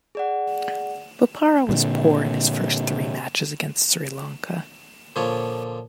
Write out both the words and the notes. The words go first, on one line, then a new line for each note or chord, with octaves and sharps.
Bopara was poor in his first three matches against Sri Lanka.
G#4 D5 F#5
A#2 D3
A#2 D3 F3 F4 C#5